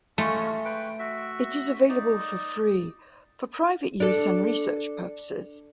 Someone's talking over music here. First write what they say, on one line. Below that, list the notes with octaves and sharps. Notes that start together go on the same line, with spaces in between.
It is available for free for private use and research purposes.
G#3 A3 C#4 F4
B4 G5
F#4 E5
D#4 D5
D4 A4